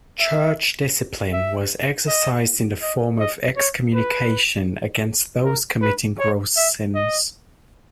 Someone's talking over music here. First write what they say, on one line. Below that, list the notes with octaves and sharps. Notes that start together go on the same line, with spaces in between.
Church discipline was exercised in the form of excommunication against those committing gross sins.
E5
E5
D#5
D#5
D#5
C#5
B4
A#4
B4
C#5
E5
D#5